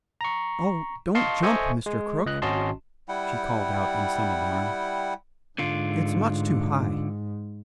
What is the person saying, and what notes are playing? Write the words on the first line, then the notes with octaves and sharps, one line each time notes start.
"Oh, don't jump, Mr. Crook," she called out in some alarm; "it's much too high."
A#5 C#6
D#5 F5 A5 C6 C#6 C7
A4 C5 D#5 E5 G#5 C#6
G#3
C#2 D#5 F#6
G#1 C#4 F#4 D#5 A5 C6
G3 E4 F#5 G5
G#2 D3 F4